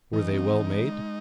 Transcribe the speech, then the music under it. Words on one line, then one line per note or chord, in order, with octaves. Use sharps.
Were they well made?
E3 D#4
C4
E3
G#3